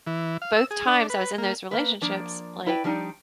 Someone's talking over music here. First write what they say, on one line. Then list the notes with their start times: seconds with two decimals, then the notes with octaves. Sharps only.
both times I was in those relationships, like,
0.07 E3
0.42 F5
0.56 E6
0.71 G#4
0.87 D4
1.10 B4
1.38 A#3
1.71 A#3 B4
2.01 F3 A#3 D4 D5
2.66 E4 B4 D5 G5
2.84 F3 G3 D4 D#4